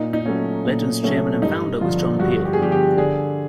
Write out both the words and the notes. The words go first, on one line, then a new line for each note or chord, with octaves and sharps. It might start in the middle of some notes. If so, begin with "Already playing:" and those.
Legend's chairman and founder was John Peel.
Already playing: A#2 D#4
D#4
F#3 A3 C#4
A#2
F#3 A3 C#4
G2 D#4
D3 F3 F4
G2 F#4
G4
G#4
D3 F3 G4
G4
D3 G#4